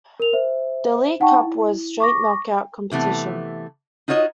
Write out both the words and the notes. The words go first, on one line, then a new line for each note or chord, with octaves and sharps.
The League Cup was a straight knock-out competition.
A#4 F7
C5 E5
D#4 F#5 G5 A5 C#6
E4
C#6 D6 A#6
C3 E3 A3 B3
D#4 F4 F#4 C#5 D#5